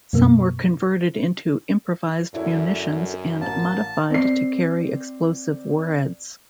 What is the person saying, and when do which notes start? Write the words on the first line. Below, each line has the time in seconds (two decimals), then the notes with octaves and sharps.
Some were converted into improvised munitions and modified to carry explosive warheads.
0.13 F#2 B2 A#3
2.34 F#2 D3 E4 C#5
3.41 A1 A#3 A5
4.10 C4 D5 C7